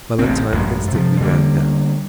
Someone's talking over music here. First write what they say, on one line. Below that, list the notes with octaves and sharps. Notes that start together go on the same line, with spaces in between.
Valentine instantly ran down.
A1 C#3 C4
A1 F#2 G#3
C3 F3
D3 G3 A3 A#3